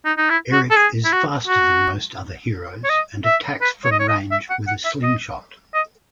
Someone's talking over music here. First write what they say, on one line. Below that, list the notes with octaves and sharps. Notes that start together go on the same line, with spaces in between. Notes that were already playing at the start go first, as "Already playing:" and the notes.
Erik is faster than most other heroes, and attacks from range with a slingshot.
D#4
D#4
E4
F#4
A4
G#4
E4
F#4
F#4
C#5
D#5
E5
B4
C#5
D#5
C#5
D#5
E5
F#5
F#5
E5
D#5
D#5